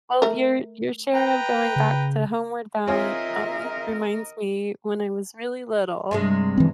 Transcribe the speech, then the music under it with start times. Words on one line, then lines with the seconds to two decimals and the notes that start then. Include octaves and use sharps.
Well, your your share of going back to Homeward Bound, um, reminds me when I was really little,
0.22 A3 A#4
1.14 B4 G5 A#5
1.76 C#3
2.88 C4 F4 G#4 A#4 C#5 D#5 E5 G#5
6.11 G2 C3 G#3
6.58 E3 C4